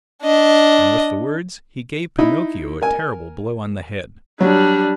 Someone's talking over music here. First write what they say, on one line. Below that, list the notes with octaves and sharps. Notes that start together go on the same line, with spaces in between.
And with the words, he gave Pinocchio a terrible blow on the head.
D4 D#5
D#4 E4 B5
A#4 G#5
F#3 G3 D4